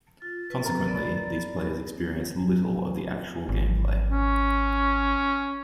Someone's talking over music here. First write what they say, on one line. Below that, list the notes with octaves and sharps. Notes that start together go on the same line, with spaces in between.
Consequently, these players experienced little of the actual game play.
F4 A6
B4
A#4 A#5
D5 B5
G#1
C#4